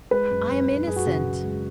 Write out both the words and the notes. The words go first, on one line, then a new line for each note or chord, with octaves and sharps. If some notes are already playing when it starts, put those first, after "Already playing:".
"I am innocent."
G#3 B4
F#2
F#2
F#2
F#2 G#4
F#4
C#3 G#4
C#3
G#3